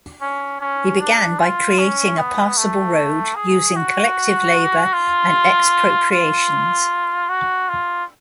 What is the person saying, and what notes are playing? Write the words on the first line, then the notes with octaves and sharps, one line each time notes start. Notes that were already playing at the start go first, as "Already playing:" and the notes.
He began by creating a passable road using collective labour and expropriations.
C#4
C#4
D4
F4
C#4
B3
A3
G#4
F#4
F4
F4
F#4
F4